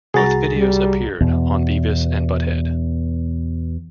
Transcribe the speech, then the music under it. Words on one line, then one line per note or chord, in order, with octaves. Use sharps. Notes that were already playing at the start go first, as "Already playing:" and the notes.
Both videos appeared on "Beavis and Butthead".
C2 F#4 G#4 A#5 A6
G3
E2 B2